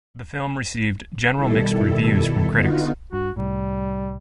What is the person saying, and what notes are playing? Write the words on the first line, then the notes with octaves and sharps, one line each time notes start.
The film received general mixed reviews from critics.
B2 D#3 G3 E4 A4
D3 B3 D#4 F4 F#4
G2 F#4
C2 A2 G3